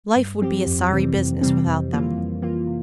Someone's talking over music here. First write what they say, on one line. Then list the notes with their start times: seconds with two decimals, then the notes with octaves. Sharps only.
Life would be a sorry business without them.
0.16 G2
0.42 F3 C4 G4
0.66 F2
0.92 C3 E3 G3 C4
1.17 F2
1.41 C3 E3 G3 C4
1.67 F2
1.92 E3 A#3 F4
2.17 F2
2.42 E3 A#3 F4
2.67 C3